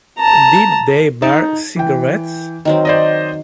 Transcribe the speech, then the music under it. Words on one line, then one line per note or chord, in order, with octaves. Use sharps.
Did they bar cigarettes?
A5 A#5
D#4 A5
E3 G5
D#3 F#3 C4
C5 D5 D#5